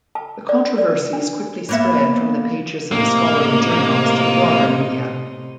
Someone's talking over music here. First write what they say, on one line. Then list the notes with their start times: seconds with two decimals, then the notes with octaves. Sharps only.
The controversies quickly spread from the pages of scholarly journals to the broader media.
0.15 A5
0.49 D5
0.78 D5
1.13 D4
1.69 A#3 B3 E5
2.92 A2 C3 A#3 D#4